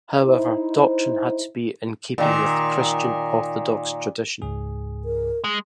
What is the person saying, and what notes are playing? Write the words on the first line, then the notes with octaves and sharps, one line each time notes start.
However, doctrine had to be in keeping with Christian orthodox tradition.
D#4 E4 C5
A#2 D#3
C#2 G#2 G#4
A#4
G#3